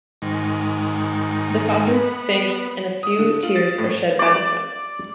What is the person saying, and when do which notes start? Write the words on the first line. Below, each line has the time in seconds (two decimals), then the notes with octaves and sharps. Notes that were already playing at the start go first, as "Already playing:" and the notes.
The coffin sinks and a few tears are shed by the twins.
0.22 G#2 D#3
1.94 B3
3.03 D#6
3.19 D3
3.43 F4
3.56 A6
3.78 A2
4.19 D5 D6